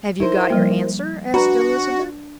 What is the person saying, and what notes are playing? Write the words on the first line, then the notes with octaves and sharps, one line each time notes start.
"Have you got your answer?" asked Elizabeth.
D#4 E4 A#4 C5
F3 G3 A#3
D4 F#4 B4 A#5 B5